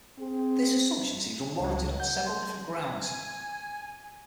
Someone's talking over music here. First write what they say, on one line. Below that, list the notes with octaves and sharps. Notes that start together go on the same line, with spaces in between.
This assumption seems unwarranted on several different grounds.
C4 G#4
C#2 F#3
F#5 G6
C6
G#5